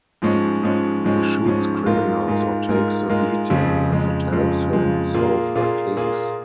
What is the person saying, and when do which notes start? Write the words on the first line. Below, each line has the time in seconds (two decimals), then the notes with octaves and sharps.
He shoots criminals or takes a beating if it helps him solve a case.
0.22 G#2 F3 G#3 C#4
0.63 G#2 F3 G#3 C#4
1.04 G#2 F3 G#3 C#4
1.45 G#2 F3 G#3 C#4
1.86 G#2 G#3 F4 A#4
2.28 G#2 G#3 F4 A#4
2.68 G#2 G#3 F4 A#4
3.09 G#2 G#3 F4 A#4
3.50 F2 C#3 F3 G#3
3.92 F2 C#3 F3 G#3
4.32 F2 C#3 F3 G#3
4.73 F2 C#3 F3 G#3
5.14 A#2 A#3 F4 G#4
5.55 A#2 A#3 F4 G#4
5.97 A#2 A#3 F4 G#4